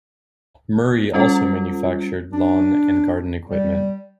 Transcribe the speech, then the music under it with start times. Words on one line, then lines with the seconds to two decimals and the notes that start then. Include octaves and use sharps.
Murray also manufactured lawn and garden equipment.
1.13 G3 C#4 F4 A4
2.33 D4
3.49 G3